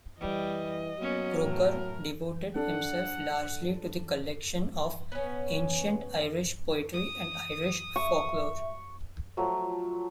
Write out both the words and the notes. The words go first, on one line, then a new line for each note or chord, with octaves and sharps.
Croker devoted himself largely to the collection of ancient Irish poetry and Irish folklore.
E3 G3 D#5
F#3 A#3 B3 C#4
A2 A#4
D4 A4 F#5
B3 C#4
D#6
E5 C#6
F3 F#3 A3